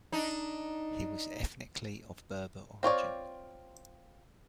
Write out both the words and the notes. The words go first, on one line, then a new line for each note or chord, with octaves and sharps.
He was ethnically of Berber origin.
D4 D#4
C4 F4 C#5 D5